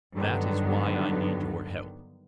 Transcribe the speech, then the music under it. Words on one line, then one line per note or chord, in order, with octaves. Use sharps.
That is why I need your help.
G2 D3 D#3 F#3 B3